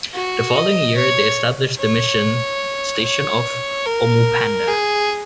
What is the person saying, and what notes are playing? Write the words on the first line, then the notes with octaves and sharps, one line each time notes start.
The following year they established the mission station of Omupanda.
F#4
D#5
C#5
C#5
C#5
A#4
G#4